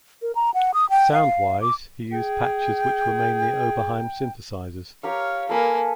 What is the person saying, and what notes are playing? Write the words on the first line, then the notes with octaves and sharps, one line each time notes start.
Sound-wise, he used patches which were mainly Oberheim synthesizers.
A#4
A#5
F#5
D#6
G5
F5
D6
G#4 G5
G4 A#4 C#5 F5
A#3 A4 B4 G#5